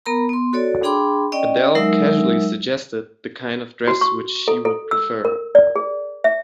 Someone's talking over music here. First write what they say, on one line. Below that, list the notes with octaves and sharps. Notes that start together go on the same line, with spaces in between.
Adele casually suggested the kind of dress which she would prefer.
B3 A#4 A#5 B5
B3 C6
F#4 A4 C#5 D5
D4 G#4 G5 B5 C6 D6
C#4 D5 D#5 G5
F#3 G#3 D#4 A#4 E5 E6
F#4
C#6
A4
A4
E6
A#4
D5
G#4
E5